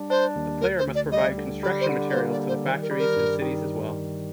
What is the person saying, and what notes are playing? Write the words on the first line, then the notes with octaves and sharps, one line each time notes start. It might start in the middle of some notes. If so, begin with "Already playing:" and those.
The player must provide construction materials to the factories and cities as well.
Already playing: G3 D4
D4 C5
D#2
D2 A#4
C5
D2
D5
G3 D#5
D3
G3 D5
C5
D3
D5
A#3 C5
D5
G3
C5
D#3 C5
A#4
G3
A#4
G2
D#3